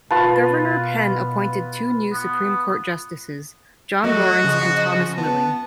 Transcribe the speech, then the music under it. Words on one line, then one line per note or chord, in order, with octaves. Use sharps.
Governor Penn appointed two new Supreme Court justices, John Lawrence and Thomas Willing.
B2 F4 B4 A5
B3
F#3 A3 F#4 D#5
C#3 F3
B3 A5